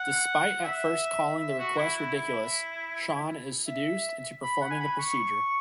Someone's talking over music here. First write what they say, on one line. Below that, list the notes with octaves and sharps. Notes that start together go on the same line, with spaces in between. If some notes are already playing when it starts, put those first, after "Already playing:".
Despite at first calling the request ridiculous, Sean is seduced into performing the procedure.
Already playing: F#5
E5
E5
F#4
E4
E4
E4
E5
B5
F#5
G#5
B5
C#6